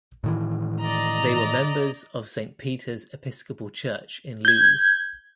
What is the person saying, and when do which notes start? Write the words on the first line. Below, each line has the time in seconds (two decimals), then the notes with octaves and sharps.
They were members of Saint Peter's Episcopal Church in Lewes.
0.24 A2 D#3 E3
0.80 D5 D#5 A#5
4.45 G6 G#6